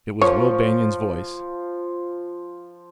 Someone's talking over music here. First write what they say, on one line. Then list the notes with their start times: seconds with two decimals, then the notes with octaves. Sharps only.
It was Will Banion's voice.
0.22 F3 C#5